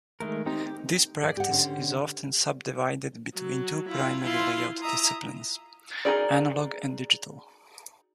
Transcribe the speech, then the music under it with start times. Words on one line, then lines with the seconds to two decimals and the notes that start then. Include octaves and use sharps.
This practice is often subdivided between two primary layout disciplines: Analog and digital.
0.20 D#3 G#3 A3 A#4
0.46 C4 D#4 G4 A#5
0.66 G4
1.21 G#4 D5
1.37 G4 F#5
1.50 D3 C#4 C5
3.35 F#3
3.88 E4 F4
4.23 E4 F4 C6
4.82 E5 A#5 D#6
6.05 D#4 F#4 G#4 A#4 D5